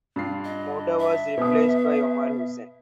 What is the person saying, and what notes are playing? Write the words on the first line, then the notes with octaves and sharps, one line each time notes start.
Mota was replaced by Omar Hussein.
G2 F4 C7
D#5
E5
B2 B3 D#6